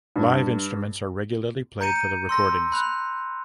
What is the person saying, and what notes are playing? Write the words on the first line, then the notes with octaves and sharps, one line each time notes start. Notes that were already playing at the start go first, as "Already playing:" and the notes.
Live instruments are regularly played for the recordings.
G2
A#5 G6 C#7 D#7
C6 E6 A#6
B5 F#6 F7